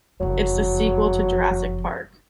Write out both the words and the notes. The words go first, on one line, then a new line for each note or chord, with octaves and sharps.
It’s the sequel to "Jurassic Park."
F#1 F2 F#3